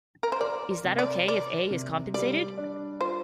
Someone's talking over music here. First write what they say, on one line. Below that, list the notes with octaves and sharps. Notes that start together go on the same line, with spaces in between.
Is that okay if A is compensated?
A#4
C5
A#4 D5
C3
D5
A#4 D5
C3
G3 D5
D4
F4 C5